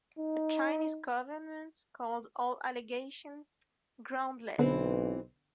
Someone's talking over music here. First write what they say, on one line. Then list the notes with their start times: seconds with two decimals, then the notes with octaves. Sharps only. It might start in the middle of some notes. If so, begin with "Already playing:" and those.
The Chinese government called all allegations "groundless".
0.18 D#4
4.59 B1 D3 E3 B3 C4